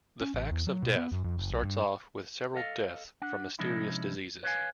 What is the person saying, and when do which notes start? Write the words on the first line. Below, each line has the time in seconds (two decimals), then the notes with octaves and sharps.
"The Facts of Death" starts off with several deaths from mysterious diseases.
0.21 C#4
0.34 A1
0.51 E2
0.67 F#3
0.83 B2
0.96 B3
1.12 F#2
1.25 F2
1.37 F#1
1.51 B1
1.63 G2
2.54 A4 D#5 F5
3.22 D4 F#5
3.59 C3 F3 G#3 C#4 D#4 E4
4.43 B4 C#5 D#5 F5 G#5